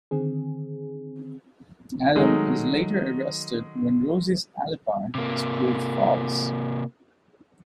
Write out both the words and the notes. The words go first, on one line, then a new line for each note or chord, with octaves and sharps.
Adam is later arrested when Rosie's alibi is proved false.
D3 D#3 C4 G#4
D#3 F#3 G#3 A3 D#4
C3 A#3